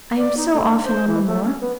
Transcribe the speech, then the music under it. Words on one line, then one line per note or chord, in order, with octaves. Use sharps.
I am so often on the moor.
D5
D#4
A3
D4
C5
E3
A3
C#4
B3